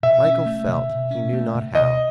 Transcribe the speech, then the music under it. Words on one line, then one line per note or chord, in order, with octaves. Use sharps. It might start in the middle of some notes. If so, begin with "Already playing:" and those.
Michael felt he knew not how.
B2 E5
C#4
A3
B2
B2
C#4
A3
B2
B2 D#5